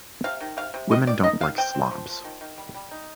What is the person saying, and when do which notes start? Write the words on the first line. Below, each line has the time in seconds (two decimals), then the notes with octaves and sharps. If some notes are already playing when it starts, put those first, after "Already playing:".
Women don't like slobs.
0.24 C3 F5
0.41 D#3
0.57 C3 F5
0.74 C3
0.91 D#3 D#5
1.07 D#3 D5
1.24 D#4 D#5
1.41 D#3 F5
1.58 C4 G5
1.74 C4
1.91 F3
2.08 F3
2.24 D#3
2.41 D#3
2.58 G3
2.74 G3
2.91 D#4